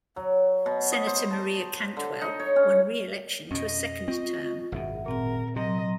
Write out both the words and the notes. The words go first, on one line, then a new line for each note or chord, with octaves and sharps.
Senator Maria Cantwell won re-election to a second term.
F#3
B2
D#5
C5
A5
D3
D#4
C#5
C#4
F2 B2 C#4 D#5
C4 F4 C#6
G#1 F#2 B2 G#4 E5 F#5
A#2 C4 A#4
C3 F#3 D#5 A#5 C6